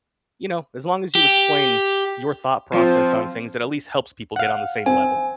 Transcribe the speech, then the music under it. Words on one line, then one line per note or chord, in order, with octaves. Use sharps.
you know, as long as you explain your thought process on things, it at least helps people get on the same level.
G4
F3 C4 F4 C5
F5 F#5
C4 G#5